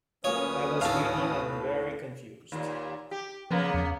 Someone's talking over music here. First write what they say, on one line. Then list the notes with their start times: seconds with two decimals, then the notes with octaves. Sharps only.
I was eighteen and very confused.
0.24 D2 F#3 A#3 C#4 F4 B4 C#5 D#6
0.81 D#2 A2 A4 F5
2.52 D#2 A#2
3.11 G4
3.51 C#3 F3 A#3 B3
3.74 E2